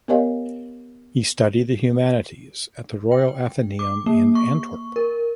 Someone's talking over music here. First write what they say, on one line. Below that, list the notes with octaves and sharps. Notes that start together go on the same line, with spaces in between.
He studied the humanities at the Royal Atheneum in Antwerp.
B3 G4 A#4 C#5 D#5 F5
G5
D6
A#3
C#6
A#4